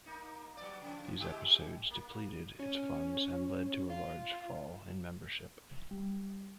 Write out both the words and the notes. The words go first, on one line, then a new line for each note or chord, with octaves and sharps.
These episodes depleted its funds and led to a large fall in membership.
A#3 D#4
F#3 B3 D5
C#3 F3
G#3 E4 G4
A#3
C#4
F4
G3